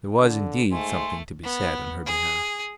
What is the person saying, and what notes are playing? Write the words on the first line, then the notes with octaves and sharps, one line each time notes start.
There was indeed something to be said on her behalf.
D3
G#2 A3 G#5 C6
B3
G#4